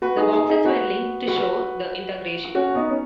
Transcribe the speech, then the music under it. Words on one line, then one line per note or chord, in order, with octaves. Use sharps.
The boxes were linked to show the integration.
F#4 B4
D#4 G#4
D#4 G#4
D#4 G#4
F#4 B4
F#4 B4
C#4 F#4
B3 D#4
C#4